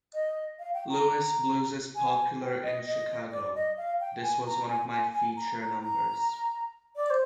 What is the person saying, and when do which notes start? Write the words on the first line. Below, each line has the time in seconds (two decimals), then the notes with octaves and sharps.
Louis Blues' popular in Chicago; this was one of my feature numbers.
0.14 D#5
0.59 F5
0.74 G5
0.90 A#5
1.95 G#5
2.41 G5
2.63 D#5
2.87 D#5
3.32 D5
3.55 D#5
3.77 F5
4.01 G5
4.22 G#5
4.46 A#5
4.69 G#5
4.91 G#5
5.14 G#5
5.37 A#5
5.60 A#5
5.82 A#5
6.96 D5
7.10 C5